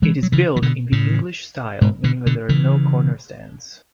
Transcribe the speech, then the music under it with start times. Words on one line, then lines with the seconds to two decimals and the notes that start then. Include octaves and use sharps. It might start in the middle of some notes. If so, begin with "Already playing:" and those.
It is built in the "English style", meaning that there are no corner stands.
0.02 E3 G#3
0.23 F#3
0.32 C#3 E3
0.56 E3
0.62 B2 D3
0.92 A2 C#3
1.81 G#2 B2
2.04 B2 D3
2.26 B2 D3
2.49 C#3 E3